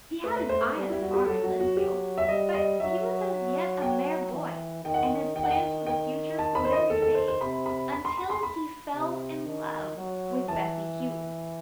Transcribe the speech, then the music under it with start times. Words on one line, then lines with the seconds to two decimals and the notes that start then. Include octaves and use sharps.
He had his eye on a farm in Lynnfield, but he was as yet a mere boy, and his plans for the future were very vague until he fell in love with Bessy Houghton.
0.24 A3 B4
0.36 B4
0.49 C5
0.61 B4
0.75 G3
0.89 E4
1.02 F#4
1.14 G4
1.26 F#3 A4
1.43 F#4
1.60 F#4
1.77 G4
2.18 E5
2.28 G3 D#5
2.54 D#5
2.80 F#3 E5
3.82 G5
4.34 E3
4.85 D#3 G5
4.94 F#5
5.03 G5
5.36 D#3 G5
5.43 F#5
5.50 G5
5.86 G5
6.39 A5
6.55 B5
6.65 C5
6.72 D#5
6.90 D#3 A4
7.02 A4
7.15 C5
7.28 C5
7.40 C3 B5
7.66 B5
7.92 B5
8.05 C6
8.17 B5
8.30 C6
8.43 B5
8.94 C3
9.46 D#3
9.97 F#3
10.48 E3 A5